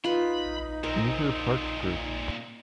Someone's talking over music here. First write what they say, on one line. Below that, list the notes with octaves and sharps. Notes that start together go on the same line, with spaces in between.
Leisure Parks group.
D#4 F4 B4 B5
A#2 C4 A#4